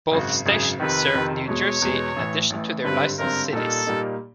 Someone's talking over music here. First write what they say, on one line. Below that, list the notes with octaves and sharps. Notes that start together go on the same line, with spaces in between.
Both stations serve New Jersey in addition to their licensed cities.
G#1 F#2 C#3 F#4
G#1 F#2 C#3 G#4
F2 C3 D#3 B4
F2 C3 D#3
E2 B2 G#3 C#5
E2 B2 G#3
A1 A2 E3
A1 A2 E3
G#1 G2 D3 G3 C4 B4
G#1 G2 D3 G3 C4 A#4
A#2 G3 A#3 D#4 A4
A#2 G3 A#3 D#4